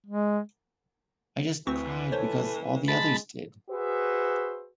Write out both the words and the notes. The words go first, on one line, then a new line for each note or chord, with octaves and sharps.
I just cried because all the others did.
G#3
D2 E3 C4 C#6
A4 C5 C#5
G#3 A5 B5
F#4 G#4 B4 C5 E5